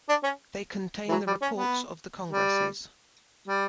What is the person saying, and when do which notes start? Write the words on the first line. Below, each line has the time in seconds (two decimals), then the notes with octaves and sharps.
They contain the reports of the congresses.
0.09 D4
0.23 C#4
1.08 E3
1.11 F#3
1.27 G3
1.42 C#4
1.56 B3
2.30 G3
3.48 G3